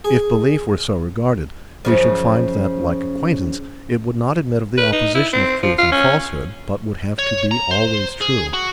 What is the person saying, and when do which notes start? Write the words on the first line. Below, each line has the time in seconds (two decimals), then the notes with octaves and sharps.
If belief were so regarded, we should find that, like acquaintance, it would not admit of the opposition of truth and falsehood, but would have to be always true.
0.05 G#4
1.85 F#2 C#3 F3
4.77 B4
4.92 D#4
5.14 E4
5.33 C4
5.63 F3
5.78 F4
5.92 C#4
7.19 C#5
7.51 A#5
7.71 C5
8.21 G#4
8.53 F#4